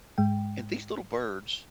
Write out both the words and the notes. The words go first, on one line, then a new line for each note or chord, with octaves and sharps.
And these little birds,
G#2 G#3 G5